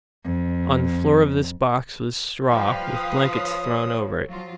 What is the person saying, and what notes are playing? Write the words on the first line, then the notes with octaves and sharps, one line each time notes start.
On the floor of this box was straw with blankets thrown over it.
F2
F3 G3 F4 B4 F5 G5
D#6
C#5
F3 F#3 F4